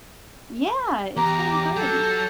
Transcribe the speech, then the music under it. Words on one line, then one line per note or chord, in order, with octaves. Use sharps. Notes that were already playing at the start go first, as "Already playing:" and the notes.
Yeah, it's been great!
E2 G4 A#5 D6
F#3 A4 G6